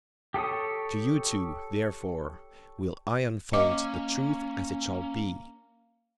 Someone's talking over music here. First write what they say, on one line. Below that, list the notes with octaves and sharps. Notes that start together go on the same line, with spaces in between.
To you two, therefore, will I unfold the truth as it shall be.
G4 A4 C#5 D#6
A#3 C#4 D#5 D6